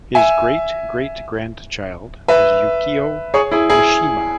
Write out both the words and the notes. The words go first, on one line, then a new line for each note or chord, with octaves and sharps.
His great-great-grandchild was Yukio Mishima.
E5 G#5
B4 E5
G#4 C#5
E4 G#4
E4 G#4